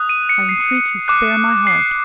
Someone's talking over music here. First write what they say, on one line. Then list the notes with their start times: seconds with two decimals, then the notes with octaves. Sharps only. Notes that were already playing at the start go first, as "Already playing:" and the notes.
I entreat you, spare my heart!
Already playing: D#6 F#6
0.09 D#7
0.29 C#7
0.49 C7
1.08 D6 F#6
1.67 C7